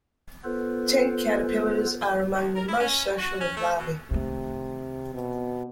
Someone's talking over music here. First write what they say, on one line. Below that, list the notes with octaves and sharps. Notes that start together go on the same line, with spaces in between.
Tent caterpillars are among the most social of larvae.
B3 F4 A4 B4 C5
D#2
A#4
E4
C#4
F#4
C#4
A3
B2
C3 D#3 A3
B2